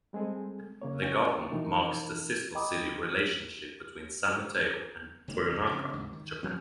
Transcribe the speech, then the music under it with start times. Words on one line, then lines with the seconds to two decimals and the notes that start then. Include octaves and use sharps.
The garden marks the sister-city relationship between San Mateo and Toyonaka, Japan.
0.13 G3 G#3 C4 G#4 A4
0.82 C#3 A#3 C#5
1.02 C#4 F5 G5 C#6 A6
1.51 B2 E3 A3 D#4 A#4
2.55 D#5 G5 A#5 B5 D6 D#6
5.28 F1 D#3 G#3 A#3
5.51 C2 F2
5.71 C#3 C4 D4
5.93 D#2 G#2 C#3
6.13 D#3
6.43 D1 D2 F3 C4